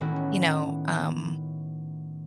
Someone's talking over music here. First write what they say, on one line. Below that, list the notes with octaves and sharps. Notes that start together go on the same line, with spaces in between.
you know, um
A2 D#3 B3 C#4 E4 F#4